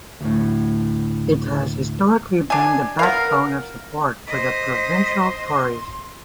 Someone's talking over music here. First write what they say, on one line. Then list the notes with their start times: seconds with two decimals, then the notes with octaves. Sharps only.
It has historically been the backbone of support for the provincial Tories.
0.21 D2 A2
2.50 D4 G#5
2.99 B3 A#4 F5
4.27 C5 D#5 B6
5.17 C6